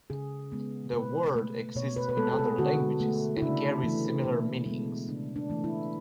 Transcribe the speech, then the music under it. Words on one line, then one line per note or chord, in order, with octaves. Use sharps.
The word exists in other languages and carries similar meanings.
C#3 G#4
G#3 B3
B2 B4
A3
B2 C#5
B4
B4
G#3 B3 A4
A4
G#4
D3 F#4
A3
E4
C#3 D4
E3 A3
B2
G#3 B3
C#3 D4
D4
E3 A3
E4